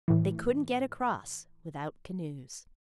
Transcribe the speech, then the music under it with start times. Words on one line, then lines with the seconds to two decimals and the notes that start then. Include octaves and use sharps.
They couldn't get across without canoes.
0.08 A2 E3